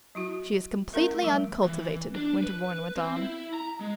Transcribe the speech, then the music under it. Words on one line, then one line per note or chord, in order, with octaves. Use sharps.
"She is completely uncultivated," Winterbourne went on.
F#3 E4 F#4
A3 C#4 E4 A#4 E5
F3 G3
E3
D4
B4
C4
E4
A#5
G#3